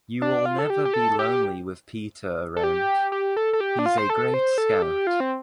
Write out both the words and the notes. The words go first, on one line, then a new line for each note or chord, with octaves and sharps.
You'll never be lonely with Peter around. He's a great scout.
D4
F4
A4
G4
G4
A4
G4
A4
G4
G4
A4
A4
G4
D4
F4
C5
A4
C5
A4
G4
F4
C4